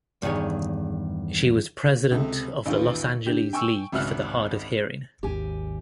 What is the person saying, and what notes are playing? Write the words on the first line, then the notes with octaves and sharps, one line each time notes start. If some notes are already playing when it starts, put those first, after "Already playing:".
She was President of the Los Angeles League for the Hard of Hearing.
E2 G2 D#3 G#4 C#5
C#2 C3 A4
A1 D#2 F4 G4 B4
D3 G4 G6
G5 G#5 C#6 E6
G#1 C#2 F#4 E5 F6 F#6
G#1 D#2 G4 G#5